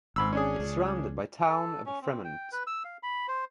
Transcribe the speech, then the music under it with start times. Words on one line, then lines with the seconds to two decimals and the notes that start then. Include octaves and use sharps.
It is surrounded by Town of Fremont.
0.16 G#1 G#2 B5 E6
0.33 C#4 D4 G#4
0.59 C#2
1.48 A4
1.86 C#4
2.02 C4
2.24 G5
2.52 B4
2.67 E6
2.85 F5
3.03 B5
3.28 C5